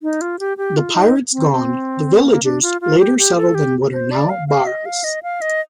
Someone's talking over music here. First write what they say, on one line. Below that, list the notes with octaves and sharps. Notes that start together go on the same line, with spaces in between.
The pirates gone, the villagers later settled in what are now Baras.
D#4
F4
G4
G4
F4
D#4
C4
C4
A#3
D4
F4
F4
G4
G4
A4
G4
C5
D5
F5
F5
D#5
F5
D#5
F5
D#5